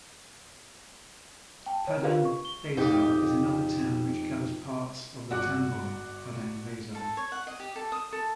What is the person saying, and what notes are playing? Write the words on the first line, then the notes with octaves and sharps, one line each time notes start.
Padang Besar is another town which covers parts of the "tambon" Padang Besar.
G5 A5
C#5 D#5
F4 G4 G#4 A#4 B4 F5
C#6
G7
F2 D#4 G4
G1 F#4 D5 F#5 D6 F#6
A4
C#5
F#5
D#5
G4
A4
D#6
A4